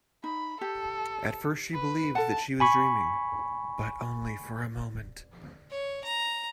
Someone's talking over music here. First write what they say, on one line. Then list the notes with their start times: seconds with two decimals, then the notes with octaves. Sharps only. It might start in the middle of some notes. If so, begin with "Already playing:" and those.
At first she believed that she was dreaming, but only for a moment.
0.24 D#4 B5
0.61 G4 A4
1.74 B4
2.15 A4 F#5 A5
2.60 G#5 B5 C#6
5.70 C#5
6.04 A#5